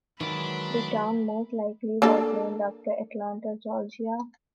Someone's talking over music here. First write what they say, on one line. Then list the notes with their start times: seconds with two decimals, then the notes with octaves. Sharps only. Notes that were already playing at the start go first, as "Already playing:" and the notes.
The town most likely was named after Atlanta, Georgia.
0.21 D#3 E3 F#3 G#3 D4 B5
2.02 A#3 D4 A4